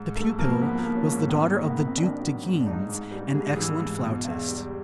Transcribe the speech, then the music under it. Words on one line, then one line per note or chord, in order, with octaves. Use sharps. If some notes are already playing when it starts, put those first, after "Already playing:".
The pupil was the daughter of the Duke de Guines, an excellent flautist.
Already playing: G#2
G#2 A3
F3 A#3
F3 B3
A#3
F3
C#4
G#2
D#3 B3
A#3
G#2
B3
D#3
C4
D#3 D4
F#3
G#2
D4
G#2 D#4
G#2
G3
G#2 G#4
E3
G#2
B2
E2
G3